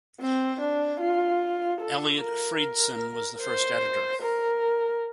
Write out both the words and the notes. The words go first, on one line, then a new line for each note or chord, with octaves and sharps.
Eliot Freidson was the first editor.
C4
D4
F4
A4
A#4
C5
A#4